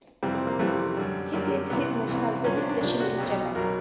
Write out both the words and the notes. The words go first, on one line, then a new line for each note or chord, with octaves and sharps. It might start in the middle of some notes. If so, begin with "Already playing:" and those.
He did his National Service stationed in Germany.
F2 C3 E3 G3 C4
C4
A#3
F2 C3 E3 G3 A3
F#2 D3 G3
F#2 D3 G3 A#3
C2 C3 E3 B3
C2 C3 E3
C2 C3 F3 C#4
D4
D4
C2 C3 F3 D4
F#4
B1 B2 F#3 G4
B1 B2 F#3 A#4